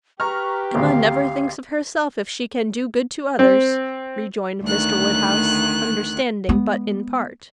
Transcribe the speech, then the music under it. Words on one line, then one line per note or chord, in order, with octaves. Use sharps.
"Emma never thinks of herself, if she can do good to others," rejoined Mr. Woodhouse, understanding but in part.
G4 B4 A#5 C#6 F6
G#1 D2 F5
C4
D2 D#3 F#6
G#3 B3